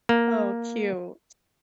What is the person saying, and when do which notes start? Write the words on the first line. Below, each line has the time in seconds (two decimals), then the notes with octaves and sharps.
Oh, cute.
0.09 A#3